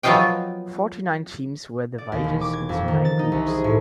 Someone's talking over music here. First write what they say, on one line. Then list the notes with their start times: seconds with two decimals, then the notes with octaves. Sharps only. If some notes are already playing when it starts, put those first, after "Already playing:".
Forty-nine teams were divided into nine groups.
0.03 F3 F#3 B3 F4 D#5 G5
1.98 D5
2.12 D#2
2.24 E1
2.41 D6
2.53 G#6
2.69 F2
2.88 D#3
3.05 A6
3.19 D#4
3.32 C2
3.48 G#4
3.64 A2